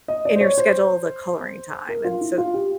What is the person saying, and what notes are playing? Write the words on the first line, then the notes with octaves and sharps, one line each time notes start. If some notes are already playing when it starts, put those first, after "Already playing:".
in your schedule the coloring time, and so,
D#5
D5
C5
C#5
C5
A#4
F4
E4
F4
G4